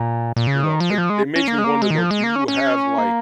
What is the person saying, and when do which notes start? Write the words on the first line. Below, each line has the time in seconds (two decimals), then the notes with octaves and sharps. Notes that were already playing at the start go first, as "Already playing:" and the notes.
you know, it it makes me wonder though, do you have, like,
Already playing: A#2
0.36 A#2
0.47 C#3
0.64 D#3
0.80 F3
0.90 G#3
0.98 F3
1.10 G#3
1.36 C#4
1.48 A#3
1.58 G#3
1.64 A#3
1.82 G#3
1.91 D#3
1.98 F3
2.11 G#3
2.23 A#3
2.36 C#4
2.48 C#4
2.98 A#3